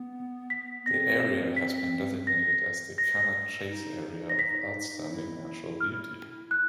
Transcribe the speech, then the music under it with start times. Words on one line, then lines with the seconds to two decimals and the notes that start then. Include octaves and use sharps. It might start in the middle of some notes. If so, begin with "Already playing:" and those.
The area has been designated as the Cannock Chase Area of Outstanding Natural Beauty.
Already playing: B3
0.50 B6
0.86 C4 A#6
1.56 B6
2.27 A#6
2.98 A#6
3.68 D#4
4.29 A#6
4.39 B6
5.10 E4
5.80 F6
6.51 F#6